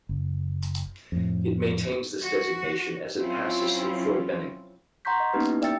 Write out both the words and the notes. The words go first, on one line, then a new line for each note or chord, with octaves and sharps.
It maintains this designation as it passes through Fort Benning.
F#1
F2 A2
F#4
F#3 C4 C#4 E4 F4
F#5 A#5 C6 C#6 G6 B6
D#5
A#3 B3 C#4 D#4 G4 B4
A#3 E4
D5 E5 G5 E6 A6 C#7